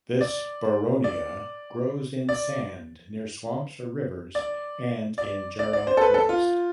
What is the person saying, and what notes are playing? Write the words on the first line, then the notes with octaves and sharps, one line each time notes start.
This boronia grows in sand near swamps or rivers and in jarrah forest.
D5
D5
D5
D5
D5
D5
D5
C5
A4
B4
A4
F4